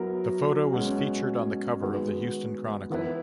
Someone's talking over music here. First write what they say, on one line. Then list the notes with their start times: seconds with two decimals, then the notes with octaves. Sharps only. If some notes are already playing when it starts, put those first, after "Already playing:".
The photo was featured on the cover of the "Houston Chronicle".
Already playing: F#3 B3 E4 A#4
0.72 B2 G#3 C#4
1.81 D#3 G#3 B3 F#4
2.90 E3 B3 E4 B4